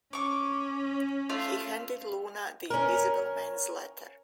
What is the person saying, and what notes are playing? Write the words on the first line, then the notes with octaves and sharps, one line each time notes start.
He handed Luna the Invisible Man's letter.
C#4 C#6 D6
A3 F4 F5
C#4 A#4